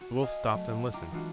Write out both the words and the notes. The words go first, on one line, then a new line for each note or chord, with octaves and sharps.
The Wolf stopped and listened.
F#4
D#5 F5 G#5
F#3 A3
E4 F4 G4 G5 A#5 D6
E3 G#3 D4 F4 F#4